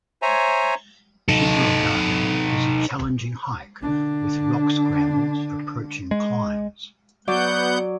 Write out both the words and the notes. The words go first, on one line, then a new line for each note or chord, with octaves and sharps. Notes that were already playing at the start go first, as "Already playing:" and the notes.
Tibrogargan is a challenging hike with rock scrambles approaching climbs.
C5 C#5 E5 G#5 A#5
D#4 A4
D3 D4
G#3
F#3 B3 D5 F#5 G6